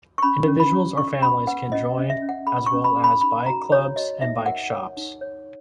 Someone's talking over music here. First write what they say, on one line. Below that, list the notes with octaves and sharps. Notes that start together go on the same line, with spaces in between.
Individuals or families can join, as well as bike clubs and bike shops.
C#6
C#4 B5
C#4
B5
C#4
G#4 C#6
C#4 B5
B4 F#5
C#4 D#5
C#4
E5
C#4
F#5
G#4 B5
C#6
C#4
B5
G#4
B5
D#4 B5
F#4 A#5
F#4 C#5
F#4 D#5
D#4 E5
A#4 F#5
C#5
D#4
C#5